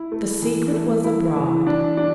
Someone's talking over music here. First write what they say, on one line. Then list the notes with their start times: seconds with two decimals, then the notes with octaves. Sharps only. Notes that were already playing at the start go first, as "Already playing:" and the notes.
The secret was abroad.
Already playing: E4
0.12 A3
0.42 E3
0.74 A3
1.04 E4
1.36 E3
1.67 D4
1.97 D4